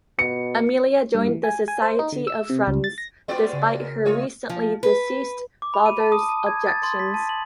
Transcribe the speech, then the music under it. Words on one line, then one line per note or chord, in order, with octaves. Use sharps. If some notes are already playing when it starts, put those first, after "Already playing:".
Amelia joined the Society of Friends despite her recently-deceased father's objections.
B2 C#7
G2
E3
G#5
G#5
C5
D#4
D3
E6
C3
C#2
A6
A#6
G#3 B3 F4 F#4 D5
C#3
A#4
A3 F4 C#5 D#5
F3
B4
D6
B5
D#7
A5
D#6
A5
G#6
A6
C6
B6
A5
F#7